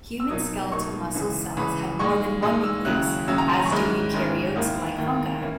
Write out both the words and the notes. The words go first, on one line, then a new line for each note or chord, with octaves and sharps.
Human skeletal muscle cells have more than one nucleus, as do eukaryotes like fungi.
E6
B2 F#3 A#3 D#4 D#6
B2 F#3 A#3 D#4 C#6
C#2 C#3 E3
C#2 C#3 E3 B5
A#2 G#3 D#4 C#6
A#2 G#3 D#4 D#6
E6
D#2 C#3 F#3 C#4 E4 F#6
D#2 C#3 F#3 C#4 E4 E6
A#5
G#5
A#5
C#6
G#2 D#3 G#3 C#4 E4 B5
G#2 D#3 G#3 C#4 E4
D#2 D#3 A#3 E4 D#6
D#2 D#3 A#3 E4
E3 A#3 C#4 E4